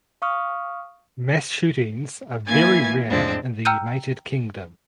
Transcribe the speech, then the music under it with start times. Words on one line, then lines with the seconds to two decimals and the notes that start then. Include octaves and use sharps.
Mass shootings are very rare in the United Kingdom.
0.22 F5 C#6 D#6 F6
2.46 E3 A#3 F4 G#5 G#6 A6
3.08 F2 A2 F3 G#3 C4 D4
3.65 G5 A#5 E6 F6 G6 D#7